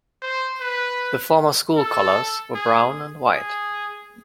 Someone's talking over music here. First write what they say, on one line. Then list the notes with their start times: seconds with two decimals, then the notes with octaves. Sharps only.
The former school colours were brown and white.
0.22 C5
0.60 B4
1.76 A4
2.54 G#4
3.32 G#4